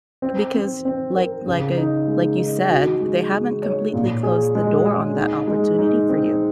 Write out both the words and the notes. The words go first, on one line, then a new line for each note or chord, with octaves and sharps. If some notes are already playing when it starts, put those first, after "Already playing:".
because like like a like you said, they haven't completely closed the door on that opportunity for you.
C4
C4
C4
A#4
C#3
D#4
G#3
D#4
F#4
G#3
G#3
C#5
A#2
G#4
G#3
G#4
D#4
G#3
D#4
C4